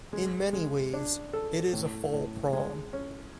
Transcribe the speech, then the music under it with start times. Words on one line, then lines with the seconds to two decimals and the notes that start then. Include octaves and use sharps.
In many ways, it is a fall prom.
0.13 G#3
0.53 G#3
0.94 D4
1.33 A4
1.73 A2
2.13 A2
2.53 G#3
2.93 C#4